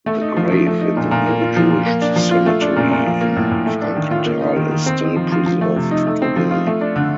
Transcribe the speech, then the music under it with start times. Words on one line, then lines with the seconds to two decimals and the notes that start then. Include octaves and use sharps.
The grave in the new Jewish cemetery in Frankenthal is still preserved today.
0.06 A3
0.21 D#4
0.36 F3
0.51 F3
0.66 A3
0.81 D#4
0.97 A#2
1.11 A#2
1.27 A#3
1.42 F4
1.56 F3
1.71 F3
1.86 A#3
2.01 D4
2.16 F3
2.31 F4
2.46 A3
2.61 D4
2.76 A#2
2.91 A#2
3.06 F3
3.21 A#3
3.36 A2
3.51 A2
3.66 A3
3.81 D4
3.96 D#3
4.11 F4
4.26 A#3
4.41 D#4
4.56 D#3
4.71 D#3
4.86 C4
5.01 D#4
5.16 F3
5.32 F3
5.46 F3
5.61 A3
5.76 C3
5.91 D#4
6.06 A3
6.22 C4
6.36 F3
6.51 F4
6.67 A3
6.81 D4
6.96 D3